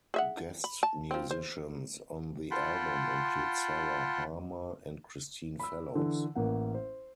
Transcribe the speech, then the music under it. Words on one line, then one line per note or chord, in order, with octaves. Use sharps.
Guest musicians on the album include Sarah Harmer and Christine Fellows.
G#4 E5 F#5
B5
A5
F3 C4
C5
F4 F#5 G5 A5 B5 C6
B5 E6
D3 E3
A1 A#3 F#5
C5